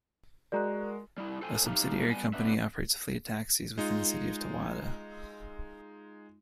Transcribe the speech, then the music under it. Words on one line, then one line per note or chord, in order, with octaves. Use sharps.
A subsidiary company, operates a fleet of taxis within the city of Towada.
G#3 F#4 A#4 D5 A#5 F#6
G3 E4
A4 C5 G5 G#5
F2 A3 D#4 G4 F5
G3 B3 G#5
B3 D4 B4 E5
G#3 D#4 F4